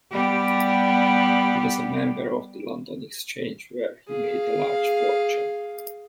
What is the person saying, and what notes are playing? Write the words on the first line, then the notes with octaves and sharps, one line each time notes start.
He was a member of the London Exchange, where he made a large fortune.
G3 B3 G4
G#4 F5